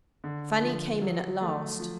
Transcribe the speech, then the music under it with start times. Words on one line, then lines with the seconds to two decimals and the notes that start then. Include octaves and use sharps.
Fanny came in at last.
0.24 D3
0.62 F3
1.01 F#3
1.41 A3
1.79 F3